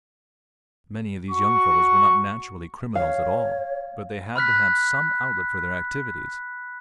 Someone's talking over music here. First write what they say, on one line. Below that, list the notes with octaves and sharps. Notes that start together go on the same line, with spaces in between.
Many of these young fellows were not naturally criminals at all, but they had to have some outlet for their activities.
F#4 C#6
C#5 F5
B5 F6 F#6 B6